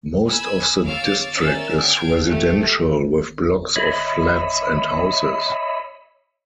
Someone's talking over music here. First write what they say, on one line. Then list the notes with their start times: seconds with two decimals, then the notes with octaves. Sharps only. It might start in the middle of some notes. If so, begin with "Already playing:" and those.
Most of the district is residential, with blocks of flats and houses.
0.27 G#5 B5 E6
0.86 C#5 F5 D6 E6 A6
1.34 C#4 A#4 D5 E5 E6 A6
1.80 F5 G5 A5 G#6 D7
2.26 A3 G4
3.76 C#5 D#5 E5 B5